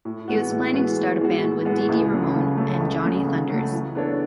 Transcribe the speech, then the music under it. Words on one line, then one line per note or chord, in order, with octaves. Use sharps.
He was planning to start a band with Dee Dee Ramone and Johnny Thunders.
A2
E3 G#3 B3 F#4
A2
E3 G#3 B3 F#4
A2
E3 G#3 B3 F#4
A2
E3 G#3 B3 F#4
C#2
C#3 F#3 A3
C#2
C#3 F#3 A3
C#2
C#3 F#3 A3
C#2
C#3 F#3 A3
E3
B3 D4 A4 C#5